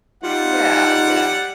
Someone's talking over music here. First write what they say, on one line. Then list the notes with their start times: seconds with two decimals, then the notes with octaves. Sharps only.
Yeah, yeah.
0.23 G3 D#4 F4 F#5